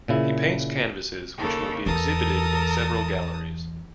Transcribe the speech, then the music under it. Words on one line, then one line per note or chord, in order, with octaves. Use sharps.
He paints canvases which will be exhibited in several galleries.
A#2 C#3 E4
D#2 C#3 A#3 A4
E2 A4 A#4 A5 D#6